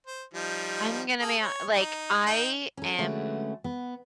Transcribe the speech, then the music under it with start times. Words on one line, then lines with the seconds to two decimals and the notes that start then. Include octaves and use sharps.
I'm gonna be ho like, I am
0.07 C5
0.34 F3 G3 D#4
1.21 G#4 A4
1.41 C#5
1.73 D#4
2.26 D#4 G5
2.77 C#4 A4
2.98 D3 G#3 A3 B3 C#4 F#4
3.64 B3